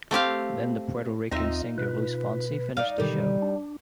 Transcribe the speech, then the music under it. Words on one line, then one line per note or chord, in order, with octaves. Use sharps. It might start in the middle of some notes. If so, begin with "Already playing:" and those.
Then the Puerto Rican singer Luis Fonsi finished the show.
A3 C4 G4 F5
D#2 C4 D#4 F4 D#5 E5
B2 B4
D#4 D5 F5
B2 D3 D#3 G3 D#4
D4